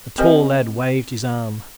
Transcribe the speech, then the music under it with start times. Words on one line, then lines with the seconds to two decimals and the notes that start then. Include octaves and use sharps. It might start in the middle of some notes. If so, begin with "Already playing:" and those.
The tall lad waved his arm.
0.18 C4 G4 A#4 C5 D#5 G#5